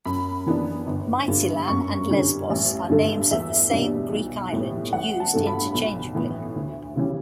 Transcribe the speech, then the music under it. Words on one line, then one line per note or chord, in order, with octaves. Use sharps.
Mytilene and Lesbos are names of the same Greek island used interchangeably.
F#2 B5
E3 B3 D4
G1
G2 D3
F#2 C#6
D3 G3 C#4
A1
G2 D3 A3
E2 E5
B2 G3 D4
B1
A2 G3 B3
A1 F#5
A5
G2 F#3 A3
B5
B1
A2 E3 B3
D2
C#3 E3 G3 C#4